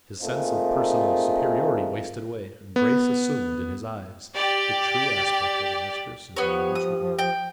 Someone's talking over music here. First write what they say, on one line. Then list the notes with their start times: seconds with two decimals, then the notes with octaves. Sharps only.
His sense of personal superiority wasted away, and Grace assumed in his eyes the true aspect of a mistress in her lover's regard.
0.21 A3 A#3 C4 D#4 F4 G#4
2.76 B3
4.34 G4 D5
6.36 F3 B3 G4 C#5
6.75 D#6
7.19 G5